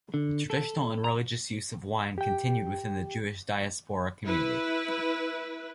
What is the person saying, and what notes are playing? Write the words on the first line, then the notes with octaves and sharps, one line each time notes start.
The traditional and religious use of wine continued within the Jewish diaspora community.
D3
A4
A#5
G4 G5
E4 B4